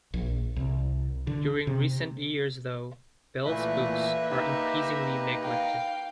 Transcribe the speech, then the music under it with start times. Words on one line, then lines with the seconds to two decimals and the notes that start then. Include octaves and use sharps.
During recent years though, Bell's books are increasingly neglected.
0.14 A#1
0.56 C2
1.27 D3
1.67 C3
3.45 A#2 E3 A3 A#3 B4 E5
4.31 D#4 G4 E5
5.42 F5 G5